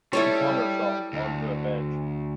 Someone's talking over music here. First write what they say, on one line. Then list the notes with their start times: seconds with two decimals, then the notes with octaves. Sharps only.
She flung herself on to a bench.
0.13 G3 E4 A4 C#5
1.13 D2